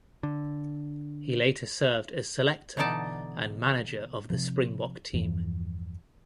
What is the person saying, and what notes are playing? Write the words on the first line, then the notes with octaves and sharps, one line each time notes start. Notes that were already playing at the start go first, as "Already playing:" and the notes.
He later served as selector and manager of the Springbok team.
D3
B2 D3 E3 D#4 D5 A5
C3 F3
E2 G2 E3 F3